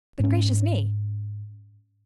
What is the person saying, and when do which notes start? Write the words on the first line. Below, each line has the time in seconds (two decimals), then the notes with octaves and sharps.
But gracious me!
0.19 G#2 C#4